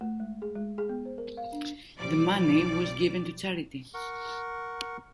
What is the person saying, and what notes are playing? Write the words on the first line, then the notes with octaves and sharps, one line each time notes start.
The money was given to charity.
A3
G#3
G#4
G#3
G#4
B3
C5
A#4
F5
D4
B1 F3 G3 D5 D6
A#4 F#5 C#6